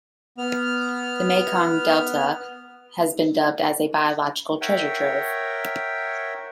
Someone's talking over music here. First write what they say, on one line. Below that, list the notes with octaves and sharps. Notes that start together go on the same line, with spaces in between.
The Mekong Delta has been dubbed as a "biological treasure trove".
B3 F6
A#4 C#5 E5 F#5 G5